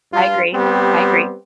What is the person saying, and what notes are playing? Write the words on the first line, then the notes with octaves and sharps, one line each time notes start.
I agree, I agree.
G2 F4
G3 B3 C4 G4